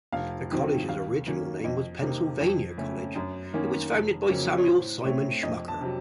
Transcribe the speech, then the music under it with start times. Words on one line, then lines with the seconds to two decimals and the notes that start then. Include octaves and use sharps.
The college's original name was Pennsylvania College; it was founded by Samuel Simon Schmucker.
0.12 F1 F5
0.51 F2 D#3 F#3 C4
0.89 D#2 F5
1.26 D#3 F#3 A#3 C#4
1.64 F2 D#5
2.02 C3 D#3 A#3
2.40 F2
2.78 C#3 A3 C#4
3.16 F#2
3.53 D#3 A#3 C#4
3.91 F1
4.29 F2 C#3 F#3 A#3
4.58 C#5
4.67 A2 C5
5.05 A3 C4 C#5
5.43 F2 D#5
5.68 A5
5.81 C3 F#3